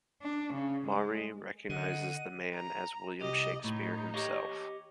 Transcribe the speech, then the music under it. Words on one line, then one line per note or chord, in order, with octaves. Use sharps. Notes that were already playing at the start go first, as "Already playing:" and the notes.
Maury recognizes the man as William Shakespeare himself.
D4
C#3
G#3
D3 D#5 F#5 D#7
A#5
C2 G4 D#5
A2 D#4
G4 C#5 D#5